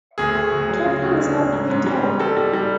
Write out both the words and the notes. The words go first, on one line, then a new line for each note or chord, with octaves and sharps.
Camping is not permitted.
D2 G#4
D2
D2
F#3
C#3
D2
D2
D2
G#2
G#2
G3
G#2
G3 A4
G3
G3